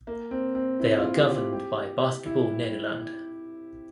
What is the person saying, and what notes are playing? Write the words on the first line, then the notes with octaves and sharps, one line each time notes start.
They are governed by Basketball Nederland.
A#3
C4
C4
E4
F4
G4
G4
G4
E4